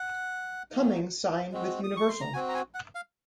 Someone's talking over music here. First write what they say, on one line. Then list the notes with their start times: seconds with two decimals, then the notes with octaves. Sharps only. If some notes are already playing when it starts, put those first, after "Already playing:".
Cummings signed with Universal.
Already playing: F#5
0.71 F#3 A#3 D#4
1.52 G#3 C4 F#4
1.84 D#6
1.97 C#6
2.09 C6
2.21 A#5
2.34 C4 F#4 G#5
2.49 A#5
2.54 G#5
2.74 F#5
2.95 F5